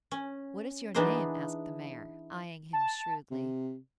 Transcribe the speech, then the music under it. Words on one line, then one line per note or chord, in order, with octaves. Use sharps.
"What is your name?" asked the mayor, eying him shrewdly.
C#4
E3 B3 D4 D#4 G#4 C5
A5
C3